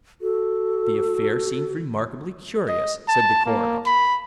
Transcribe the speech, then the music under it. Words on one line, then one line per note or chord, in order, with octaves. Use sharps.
"The affair seems remarkably curious," said the coroner.
F#4 A4
D#5
A5
A#3
B5